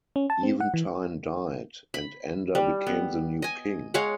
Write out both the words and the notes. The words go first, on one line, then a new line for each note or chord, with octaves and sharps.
Eventine died, and Ander became the new King.
C#4
A5
C4
F#5
E3
B5
G3
B3
D#5 G#5
G#3 C#5 F5 F#5